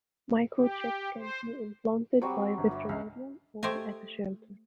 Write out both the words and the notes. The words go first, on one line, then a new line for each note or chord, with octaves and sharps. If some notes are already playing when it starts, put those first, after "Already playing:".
Microchips can be implanted by a veterinarian or at a shelter.
G4
C5
F#3 G3 C4 C#6
G1
F#4 E5
C#2 F5
A3 G4 C5 D#5 G#5